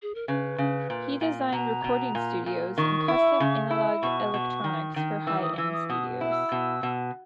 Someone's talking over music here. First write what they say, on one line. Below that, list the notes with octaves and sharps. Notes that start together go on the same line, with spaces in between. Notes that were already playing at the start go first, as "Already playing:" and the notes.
He designed recording studios and custom analog electronics for high end studios.
G#4
A#4
C#3 B4
C#3
A#2
A#2
B2 A#5
B2
A#2
A#2
D#3 C#6
E4
C#3
E4
B2 C#6
B2
D#3
D#3
E3 E6
D#6
E3 E6
D#6
B2 D#6
E4
E6
B2
B2